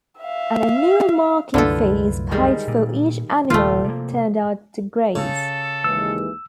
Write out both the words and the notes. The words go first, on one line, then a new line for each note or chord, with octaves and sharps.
An annual marking fee is paid for each animal turned out to graze.
E5 F5
C2 F#2 D3 A3 E4 F4 A4 B4
D#3 G3 G#3
A#2
D#1 D#2 C#3 F3 A3 F4 F5 G5
C3 A#3
C#3 A4
D#2 E3 G#3 E6